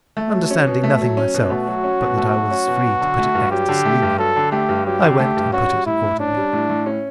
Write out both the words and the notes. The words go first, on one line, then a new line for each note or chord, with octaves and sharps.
Understanding nothing myself but that I was free to put it next to Selina, I went and put it accordingly.
A3
F#3
C#4
B2
A3
F#3
C#4
B2
A3 F#4
F#3
C#4
B2
A3
F#3
C#4
B2
F#3
D3
A3
G2
F#3 G4
D3
A3
G2
F#3 A4
D3
A3 G4
G2
F#3 G4
D3
A3
G2
C#4 F#4
G3
A2 E4
A2
C#4 D4
G3
A2
A2
C#4